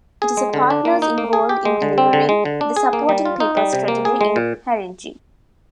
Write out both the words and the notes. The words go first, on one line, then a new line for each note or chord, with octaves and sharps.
It is a partners involved in delivering the Supporting People strategy in Haringey.
G#4
G#3
D3
D4
A#3
D#4
A#3
G#4
G4
G#3
D3
C4
D3
G#3
D3
D4
G#4
A#3
G3
F4
D#4
G3
C3
A#3
G#4
G#3
A#2